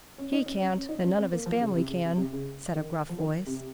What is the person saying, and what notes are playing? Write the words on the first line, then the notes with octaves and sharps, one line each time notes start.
"He can't, and none of his family can," said a gruff voice.
C#4
D#4
C#4
C#4
C#4
D#4
C#4
C4
A#3
F3
C#3
C3
C#3
C3
C3
C#3
D#3
F3
D#3
C3